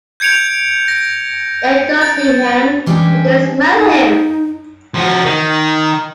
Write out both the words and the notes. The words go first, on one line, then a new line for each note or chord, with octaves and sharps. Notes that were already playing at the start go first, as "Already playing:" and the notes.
They don't see him, but they smell him.
G6 G#6 C#7 D7 F7
A#6
A6
E3 G3 G#3 C#4 D4 G4
D#4
F3 F#4
D#3